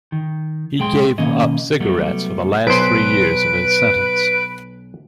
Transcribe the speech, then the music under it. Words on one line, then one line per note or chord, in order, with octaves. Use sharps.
He gave up cigarettes for the last three years of his sentence.
D#3
B1 G#3 G#4 G5 C6
B2 D#3 A#3 C#4 D#5
C2 F#3 G3 A3 B3
B1 B4 C5 D7